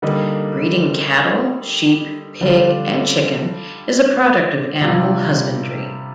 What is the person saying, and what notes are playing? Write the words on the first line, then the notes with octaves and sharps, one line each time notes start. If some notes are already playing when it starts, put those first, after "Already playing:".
Breeding cattle, sheep, pig, and chicken is a product of animal husbandry.
D3 G3 A#3 D#4
D3 G3 D4 F4
C3 G3 D4 F4